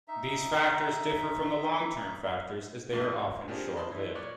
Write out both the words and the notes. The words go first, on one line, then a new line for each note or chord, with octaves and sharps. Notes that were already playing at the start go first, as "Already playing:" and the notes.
These factors differ from the long-term factors as they are often short-lived.
D#4 E5
C#2 G#2 C3 E3 A3 A#3
A#2
A#3 C4 D4 F4 G4 G#4
D#5 F#5 A5 B5 C6
E3 D#4
A#2 C#5 D5 F#6